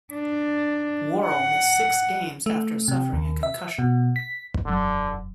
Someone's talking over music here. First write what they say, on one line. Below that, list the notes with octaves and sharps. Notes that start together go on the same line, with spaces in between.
Worrell missed six games after suffering a concussion.
D4
F#5
A3
C3
D#2
E5
B2
B6
E1 F#2 D3 F#3